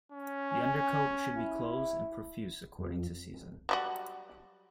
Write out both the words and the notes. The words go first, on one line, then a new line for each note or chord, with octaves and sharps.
The undercoat should be close and profuse according to season.
C#4
G#5
E4
F2
F#3 G3 F#4